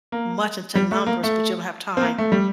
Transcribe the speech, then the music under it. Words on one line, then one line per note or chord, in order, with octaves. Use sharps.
much into numbers but you don't have time
A#3
G3
A3
A#3
A3
C4
A#3
A3
G3